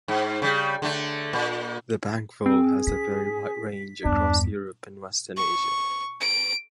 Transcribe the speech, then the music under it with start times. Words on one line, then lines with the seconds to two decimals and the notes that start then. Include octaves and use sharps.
The bank vole has a very wide range across Europe and western Asia.
0.08 G#2
0.42 C#3 G3
0.82 D3 A3
1.33 A#2
2.46 C4 G#4
2.87 C#4 B6
4.05 E2 G2 D4
5.37 C#6
6.21 D7